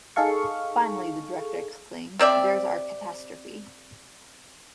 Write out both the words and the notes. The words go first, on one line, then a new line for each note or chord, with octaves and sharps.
Finally the Director exclaims: There's our catastrophe!
D#4 G#4 A4 F5 C#6
C3 C4 D5 E5